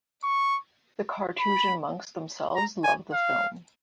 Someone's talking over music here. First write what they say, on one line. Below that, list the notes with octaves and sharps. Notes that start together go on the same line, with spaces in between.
The Carthusian monks themselves loved the film.
C#6
B5
A#5
G#5
F5